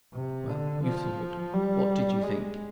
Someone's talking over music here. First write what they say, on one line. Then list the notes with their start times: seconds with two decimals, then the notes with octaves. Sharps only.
"Well, you thought--what did you think?"
0.13 C3
0.49 D3
0.84 F3
1.54 G3
2.23 G#3